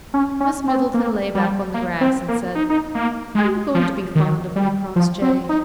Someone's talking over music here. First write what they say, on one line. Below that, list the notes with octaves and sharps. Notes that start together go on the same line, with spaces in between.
Miss Middleton lay back on the grass and said: "Are you going to be fond of me, Crossjay?"
C#4
C#4
C4
A#3
G3
A#3
C4
A#3
D#4
D#4
A#3
G#3
F3
D#3
G3
F3
C4
D#4